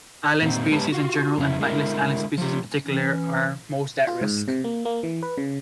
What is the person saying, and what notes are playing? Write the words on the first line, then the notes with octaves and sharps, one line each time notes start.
Island species in general, and flightless island species in particular are most at risk.
A#2 D#3 F#3 B3 C4 D#4
G#3 B3 G4 B4 C#5 A5
F4 F#4
F2 C#3 C#4 E4
D3 G#3 E4 A#4
F3 F4 G4
E3 C#4
F4
G#2
C3
A#3
A#3
E3
B4
C#3